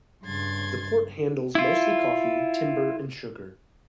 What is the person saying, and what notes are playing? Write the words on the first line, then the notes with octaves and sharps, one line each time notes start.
The port handles mostly coffee, timber and sugar.
G2 C#3 C6 G#6 A6
E4 F4